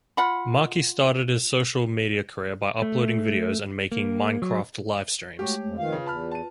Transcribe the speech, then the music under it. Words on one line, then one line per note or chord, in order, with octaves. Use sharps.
Marki started his social media career by uploading videos and making "Minecraft" livestreams.
F4 F#5 B5
A3
A#3
F#3
G#3 A3 F#4 G4 C#5
F2
F2 D#3 F4 B4 F5
C#3
E2 A5 B5 F6
A5 D#7